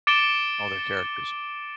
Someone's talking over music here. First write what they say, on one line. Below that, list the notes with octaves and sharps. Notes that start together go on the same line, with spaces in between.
Oh, they're characters.
D6 A6 C#7 D7 E7 G7